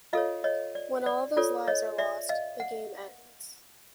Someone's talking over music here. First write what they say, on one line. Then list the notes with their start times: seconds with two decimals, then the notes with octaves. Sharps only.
When all of those lives are lost, the game ends.
0.13 F4 A4 C#5 D#5 F5
0.44 C#5 D#5
0.75 D5
1.06 D5
1.37 F4 A4 C#5 D5
1.68 C#5 D#5
1.98 D5 E5
2.29 D#5 F5
2.60 F#5